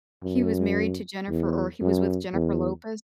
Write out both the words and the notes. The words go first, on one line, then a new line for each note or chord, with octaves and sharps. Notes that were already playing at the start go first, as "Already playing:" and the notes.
he was married to Jennifer or he was with Jennifer Lopez?
F#2
E2
F#2
E2